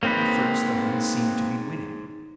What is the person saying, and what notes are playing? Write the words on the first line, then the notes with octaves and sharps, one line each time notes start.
At first the Huns seemed to be winning.
A#3 C4 D#4 G#4 B4 C#5